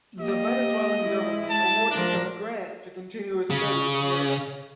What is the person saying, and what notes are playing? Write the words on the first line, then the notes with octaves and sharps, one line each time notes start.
The Venezuelan government awarded him a grant to continue his studies in Europe.
A#3 G4 D#5
G#3 E4
A5
F3 D4 A#4
C#3